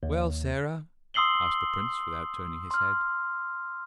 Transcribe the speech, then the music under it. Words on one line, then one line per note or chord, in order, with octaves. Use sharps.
"Well, Sarah?" asked the prince, without turning his head.
D#2
C6 D#6 E6 C7 F#7 G7
C6 F6